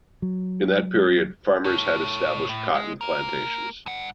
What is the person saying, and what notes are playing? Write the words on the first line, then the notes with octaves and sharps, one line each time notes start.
In that period, farmers had established cotton plantations.
F#3
A4 C#5
A2
G#3
A#3 A#4
G2 F#5